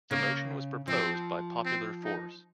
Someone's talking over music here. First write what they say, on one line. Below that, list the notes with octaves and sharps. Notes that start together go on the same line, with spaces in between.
The motion was proposed by Popular Force.
C#3 A#3
F3 C4
C4
D#4